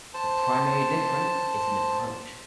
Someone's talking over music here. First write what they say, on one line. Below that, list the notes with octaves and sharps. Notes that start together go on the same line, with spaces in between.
The primary difference is in approach.
C5 A5